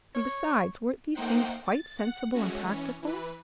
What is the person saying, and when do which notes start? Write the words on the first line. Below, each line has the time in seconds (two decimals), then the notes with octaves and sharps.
And, besides, weren't these things quite sensible and practical?
0.15 C#5
1.15 A3 A#3 D#4 C5 F#5 G5
1.66 A6
1.99 F#5
2.34 G#3 A3 C#4 F#4
2.64 E3 C#4
3.02 E3 B4